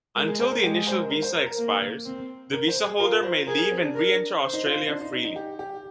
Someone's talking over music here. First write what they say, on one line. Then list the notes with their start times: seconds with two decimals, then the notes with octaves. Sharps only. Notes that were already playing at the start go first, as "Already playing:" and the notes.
Until the initial visa expires, the visa holder may leave and re-enter Australia freely.
0.16 G#3 A#4
0.27 G#4
0.40 C5
0.51 A#4
0.64 G#3 G4
0.75 G#4
0.87 C5
0.99 A#4
1.10 A#4
1.23 C5
1.35 A#4
1.46 A#4
1.58 A#3
2.05 C4
2.53 A#4
2.68 C5
2.84 G#4
2.99 F4 A#4
3.23 C5
3.47 G#4 A#4
3.58 A#4
3.71 C4
3.83 D4
3.95 A#4
4.42 C5
4.53 D#4
4.66 F4
4.77 D#4
4.89 D4
5.00 D#4
5.13 D#4
5.24 D#4
5.36 G4
5.59 G4